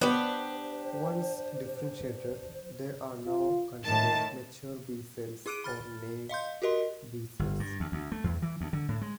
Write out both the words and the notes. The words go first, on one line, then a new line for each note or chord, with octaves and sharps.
Once differentiated, they are now considered mature B cells, or naive B cells.
B3 D4 G4 C5
F4
A2 D#3 A5
E4 G#4 D6 F#6 D7 D#7
B5 F6 A6
D#5 F5 C6 G6
F#4 G4 A#4 D#5 C6
G1
G2
D2
D2
A3
E2
E3
D2
D3
A2
G#3